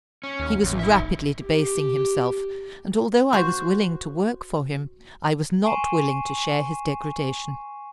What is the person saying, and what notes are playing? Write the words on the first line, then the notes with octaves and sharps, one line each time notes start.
He was rapidly debasing himself, and although I was willing to work for him, I was not willing to share his degradation.
C#4
D#2
A1 E2
D#4 E5
F#1
G4
F#4 C5
G#5 C6 C#6 C7 D#7 E7